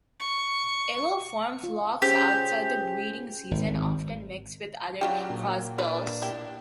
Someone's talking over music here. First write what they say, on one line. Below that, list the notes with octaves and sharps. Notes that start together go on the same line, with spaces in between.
It will form flocks outside the breeding season, often mixed with other crossbills.
C#6
F4
C#4 G4 G#4 C5
G#1
C#3 F#3 D4 F4 G4 G5
A#2
D4 D#4 B4
E4 G4